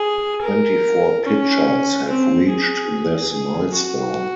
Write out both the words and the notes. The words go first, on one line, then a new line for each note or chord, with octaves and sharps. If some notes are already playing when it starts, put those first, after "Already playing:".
Twenty-four pitchers have reached this milestone.
Already playing: G#4
A#4
C#4
C4
G#4
G#4
F#4